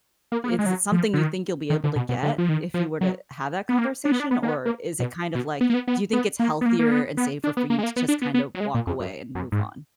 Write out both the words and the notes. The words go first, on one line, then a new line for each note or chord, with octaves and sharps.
is is it something you think you'll be able to get if you were to have that conversation? Or is it kind of like, do you think it's healthier and safer for you to just kind of walk away and move on?
A#3
B3
A#3
G#3
F#3
F3
D3
D#3
D#3
D3
B2
B2
D3
F3
D#3
F3
F#3
B3
A#3
D4
B3
D4
B3
A#3
B3
A#3
B2
B2
B3
A#3
B3
B3
B3
A#3
B3
A#3
A#3
B3
B3
D4
B3
A#3
G#3
A#3
B3
D4
B3
B3
F#3
G#3
A#2
F2
F#2
F#2
G#2